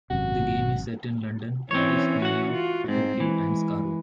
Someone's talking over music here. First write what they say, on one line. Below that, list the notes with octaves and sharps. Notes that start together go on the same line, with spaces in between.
The game is set in London, Paris, New York, Tokyo and Skaro.
G#1 F#2 C3 F#4
E3 C4 C#4 C#5
F#4 F#5
F4
G#2 G#3 C4
E3 G#3